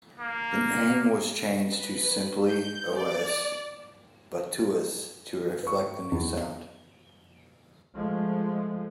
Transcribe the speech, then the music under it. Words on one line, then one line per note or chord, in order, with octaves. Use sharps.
The name was changed to simply Os Batutas to reflect the new sound.
A#3
B4
G6
D5
B4 C#6
E2
F3 G#3 A3